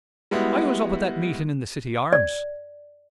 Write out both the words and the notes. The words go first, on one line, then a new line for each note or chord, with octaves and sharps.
I was up at that meeting in the City Arms.
G3 G#3 B3 E4 F#4
D5